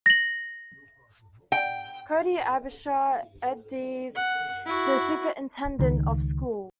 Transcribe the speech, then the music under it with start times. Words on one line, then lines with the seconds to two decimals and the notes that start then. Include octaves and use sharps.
Cody Abshier, Ed.D s the Superintendent of Schools.
0.06 A#6 F#7
1.52 G5
4.15 F#5
4.66 E4 F#4
5.79 C#2 D#3